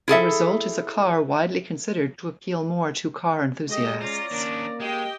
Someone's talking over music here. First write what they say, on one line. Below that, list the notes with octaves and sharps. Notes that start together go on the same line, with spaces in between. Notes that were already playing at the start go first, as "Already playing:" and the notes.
The result is a car widely considered to appeal more to car enthusiasts.
E4 G#4 A4 E5
G#3 A3 G4 D#5
C#4 F4 C#5 D5 A#5
D#3 A#3 D4
G#3 G4 D#5 G5